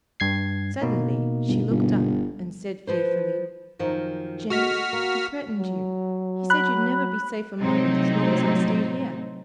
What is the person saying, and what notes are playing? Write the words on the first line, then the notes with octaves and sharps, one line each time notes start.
Suddenly she looked up and said fearfully, "James, he threatened you. He said you'd never be safe a moment as long as I stayed here."
G2 G#6 C7
B2 A#3 D#4
G1
G1
F3 B4 C5
F#2 D#3 F3
D3 G#3 F#4 F6 B6
A#3
F#3
B5 F#6
A2 C3 F#3 C4 D#4